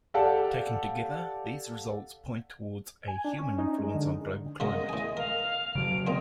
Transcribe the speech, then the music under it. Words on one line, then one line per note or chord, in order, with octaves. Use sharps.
Taken together, these results point towards a human influence on global climate.
G4 A4 D5 F5 F#5 A5
G#5
D4
C#4
D#4
G#3
D3
C#3 F#3 A#4 D#5
A2 G#5
A#4 F5
C#3 F#3 D7
A#2 C4 D#5